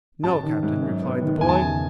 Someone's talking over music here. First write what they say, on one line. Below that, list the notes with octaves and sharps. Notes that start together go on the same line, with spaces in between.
"No, captain," replied the boy.
A1 A5
D#3
G#2
F#2
B3
D#3
E1 G#5
A5
G#5
C#3